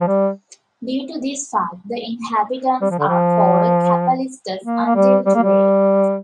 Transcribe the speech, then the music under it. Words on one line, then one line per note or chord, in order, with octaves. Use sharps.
Due to this fact the inhabitants are called "capelistas" until today.
F3
G3
G3
F3
D3
F3
A#3
A#3
G3
G3
A#3
G3